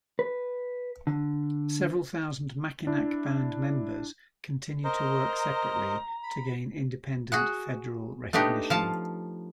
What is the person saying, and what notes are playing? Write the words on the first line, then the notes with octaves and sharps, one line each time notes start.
Several thousand Mackinac Band members continue to work separately to gain independent federal recognition.
B4
D3
D4 E4
A#4 C5 D#5 A#5
B5
F#4 G#4 F#5
A3 B3 D4 D#4 G4
F3 F5 A5